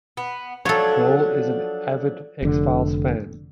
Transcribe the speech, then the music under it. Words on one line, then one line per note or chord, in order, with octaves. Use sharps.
Grohl is an avid "X-Files" fan.
B3
F3 F#3 D4 A4 C#5
F1 D3